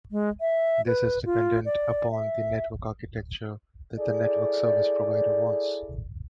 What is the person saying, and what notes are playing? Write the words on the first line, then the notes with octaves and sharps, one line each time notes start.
This is dependent upon the network architecture that the network service provider wants.
G#3
E5
B4
F4
D5
E5
E4 G#4 A4 D5